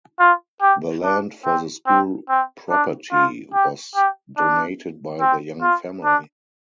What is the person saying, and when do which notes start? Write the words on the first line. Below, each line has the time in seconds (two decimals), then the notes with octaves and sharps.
The land for the school property was donated by the Young family.
0.20 F4
0.61 G4
1.04 D4
1.45 C4
1.87 C4
2.29 C4
2.70 D4
3.12 F4
3.53 G4
3.95 G4
4.37 D4
5.20 C4
5.62 F4
6.04 D4